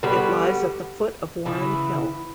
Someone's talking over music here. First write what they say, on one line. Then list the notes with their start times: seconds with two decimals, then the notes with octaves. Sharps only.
It lies at the foot of Warren Hill.
0.03 D3 G3 B3 F#4
1.45 C#3 E3 B3 E4